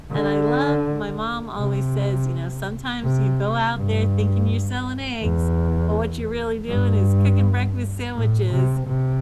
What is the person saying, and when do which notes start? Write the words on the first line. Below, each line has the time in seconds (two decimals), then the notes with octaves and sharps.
and I love My mom always says, you know, "Sometimes you go out there thinking you're selling eggs, but what you're really doing is cooking breakfast sandwiches,"
0.10 D3
1.57 C3
3.02 C3
3.75 G2
5.22 E2
6.68 G2
8.14 A2
8.51 C3
8.87 C3